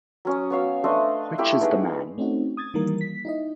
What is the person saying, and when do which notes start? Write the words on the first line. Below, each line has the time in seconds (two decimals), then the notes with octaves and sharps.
Which is the Man?
0.25 F#3 C#4 D#6
0.50 B3 C#5 F5 E6
0.84 A3 D4 C5 D#5
1.38 A3 E4 G4 B5
1.61 B3 D#4 G#4 B4
2.18 A3 C4 C#4 D#4 F#4
2.57 D#6 G#6 A6
2.74 D#3 E3 G3 A#3 A#4
3.01 B6
3.25 D#4 E4 D#5